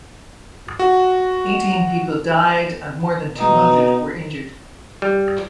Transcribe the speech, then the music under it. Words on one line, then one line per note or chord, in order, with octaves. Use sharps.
Eighteen people died, and more than two hundred were injured.
F#4
B2 D#4
G3